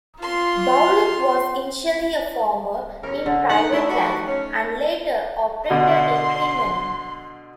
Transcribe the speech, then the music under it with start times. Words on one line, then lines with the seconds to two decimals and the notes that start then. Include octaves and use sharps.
Boulic was initially a farmer in private life, and later operated a creamery.
0.22 F4 C6
3.03 E2 C#4 A#4
3.26 D3
3.50 D#4 F#5
3.73 A3 E4
3.89 G3 F#4
4.28 C#4
5.70 B2 D3 C6